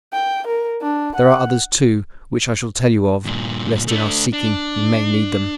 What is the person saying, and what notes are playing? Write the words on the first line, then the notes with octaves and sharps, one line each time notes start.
There are others, too, which I shall tell you of, lest in our seeking we may need them.
G5
A#4
D4
F#5
G2 A#2
A3 D4
D4